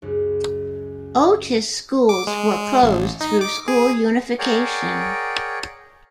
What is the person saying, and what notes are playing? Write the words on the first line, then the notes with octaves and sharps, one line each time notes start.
Otis schools were closed through school unification.
C#2 F#2
D6
G#3
A1
D#4
D6
G#4
G#4 A#4 C#5 D5 F#5 G5